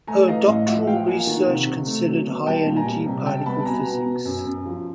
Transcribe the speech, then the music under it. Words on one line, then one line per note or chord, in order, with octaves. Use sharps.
Her doctoral research considered high energy particle physics.
A3 G#5 A#5
E3 D#5 F5
A2 D#5 F5
F3 E5 F#5
F3 F5 G5
A#3 F#5 G#5
D#3
C3
C3
A3
F#3
B2
G3 G5 A5
A#2
G#5 A#5
G3
C3
G3 G5 A5
B3 A5 B5
B2 G#5 A#5
B2
B2
F#2
F#2
F3